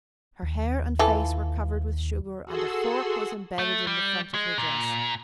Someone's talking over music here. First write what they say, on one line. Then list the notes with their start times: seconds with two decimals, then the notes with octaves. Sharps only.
Her hair and face were covered with sugar and a fork was embedded in the front of her dress.
0.42 D#2
0.99 E3 F4 A4
2.45 F#4 G#4 A4 F#5 C6 E6
3.59 A3
3.87 G3
4.34 G#3
4.58 A#2